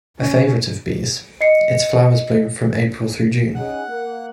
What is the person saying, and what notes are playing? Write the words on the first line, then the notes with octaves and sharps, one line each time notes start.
A favorite of bees, its flowers bloom from April through June.
C#4
D#5 C7 C#7
C#4 D#4 G#4 F#5 F#6
A#3